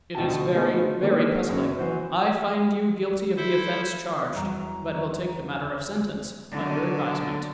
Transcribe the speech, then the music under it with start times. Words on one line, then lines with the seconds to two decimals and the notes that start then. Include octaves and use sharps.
"It is very, very puzzling-I find you guilty of the offense charged, but will take the matter of sentence under advisement."
0.15 D2 B2 G5 A5
0.55 A3 B3 D#4 G#4 D#5
0.72 F3 F#3
1.03 D#3 G#3 A#3 D4 G4
1.49 F#2
1.78 E3 F#4 C5
3.37 E4 A4 C5 E5
4.36 E2 E3 F#3 G3 A#5
6.51 D3 F#3